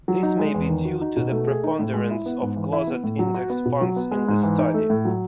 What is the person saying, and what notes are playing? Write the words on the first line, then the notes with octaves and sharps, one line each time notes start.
This may be due to the preponderance of closet-index funds in the study.
F#3
D#4
G#3
E2
D#3
F#4
D#4
B2
A3
G#4
D#4
A2
G#3
E4
B3
G#2
E3
E4
B3
A2
F#3
F#4
B3
B2
F#3
B3
G#3
G#2
E3
D#4
A3
A2
F#3